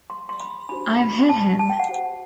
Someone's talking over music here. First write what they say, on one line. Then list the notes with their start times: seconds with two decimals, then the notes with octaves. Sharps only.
I've hit him.
0.10 C6
0.29 C6
0.40 B5
0.69 D4 F#4 C5 B5
0.99 B5
1.29 A5
1.59 A5
1.69 G5
1.79 F#5
1.89 F#4 C5